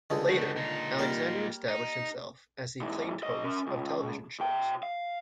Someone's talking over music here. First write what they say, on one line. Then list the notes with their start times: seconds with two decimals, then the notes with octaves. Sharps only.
Later, Alexander established himself as the acclaimed host of television shows.
0.10 C#2 D3 G#3
0.28 G3 F#4
0.56 A#2 D#4
0.99 G3 A#3
1.68 D#4
2.81 G#2 E3
3.23 B1 D#5
3.44 C#4 A#4
3.67 C#2
4.40 B2 G5
4.83 F5